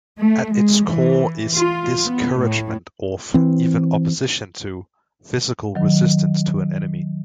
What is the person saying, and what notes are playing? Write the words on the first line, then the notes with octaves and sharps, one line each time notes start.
At its core is discouragement of, even opposition to, physical resistance to an enemy.
A3
G#3
E3
F4
B3
A2
E3 C4
D#3 F#3